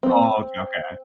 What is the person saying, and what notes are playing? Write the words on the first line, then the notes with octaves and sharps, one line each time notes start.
Oh, okay, okay.
C4